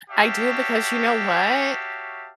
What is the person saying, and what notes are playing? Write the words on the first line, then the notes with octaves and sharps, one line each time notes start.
I do because you know what,
F#4 G4 C#5 E5 F5 A5